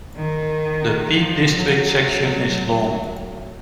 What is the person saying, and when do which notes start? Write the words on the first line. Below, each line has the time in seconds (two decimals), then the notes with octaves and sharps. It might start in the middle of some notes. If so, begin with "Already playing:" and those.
The Peak District section is long.
0.17 D#3
1.10 F3
1.57 F#3
2.51 F#3